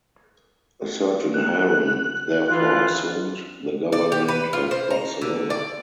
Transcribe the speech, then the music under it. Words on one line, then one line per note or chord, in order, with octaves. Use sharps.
A certain Harun therefore assumed the government of Barcelona.
F#6
E3 F4
D5
G4
B4
F4
C5
A#5
D3
D5